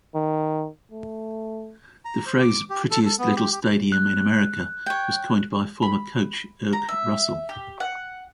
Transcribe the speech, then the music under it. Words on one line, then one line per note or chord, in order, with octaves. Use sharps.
The phrase "Prettiest Little Stadium in America" was coined by former Coach Erk Russell.
D#3
A3
A#5
C5
D6
G4
A4
A4
B3
G4
G4
F#6
C#5 G5
B5
A#5
E5
G4
F#5